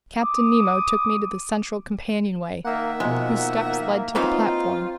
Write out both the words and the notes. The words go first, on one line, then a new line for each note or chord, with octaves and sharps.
Captain Nemo took me to the central companionway whose steps led to the platform.
D6 D#6
D#3 A#3 E5 F#5
B2 F3 G#3 A#3
E3 F#3 C4 D#4 F4